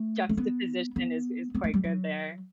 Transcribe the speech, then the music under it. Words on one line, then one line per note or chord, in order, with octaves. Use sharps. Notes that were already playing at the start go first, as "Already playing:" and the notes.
juxtaposition is is quite good there.
Already playing: A3
A3
B3
B3
B3
A3
G3
F#3